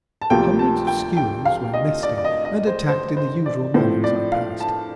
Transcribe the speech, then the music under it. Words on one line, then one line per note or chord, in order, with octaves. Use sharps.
Hundreds of skuas were nesting and attacked in the usual manner as I passed.
A5
D2 C3 F3 A#3 G5
A5
G5
G5
F5
D#5
D5
D5
D#5
D#5
C5
C5
C5
D5
A2 F3 C4 C5
D5
F5
A5